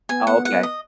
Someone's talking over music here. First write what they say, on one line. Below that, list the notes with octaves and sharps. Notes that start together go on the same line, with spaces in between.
Oh, okay.
B3 G#5
B3 F#5
F#5
D#5